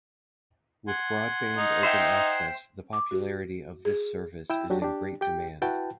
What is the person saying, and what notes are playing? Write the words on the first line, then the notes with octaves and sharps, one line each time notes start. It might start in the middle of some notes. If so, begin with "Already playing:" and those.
With broadband open access, the popularity of this service is in great demand.
F#5 G#5 C6
D#4
C5 E5 G5
D6
F#4
G#4
E4 G5 E6
F#3 D4 F#4 G4
D4 G4
G4 G5
E4 F#4 B4 F#5 G5 A5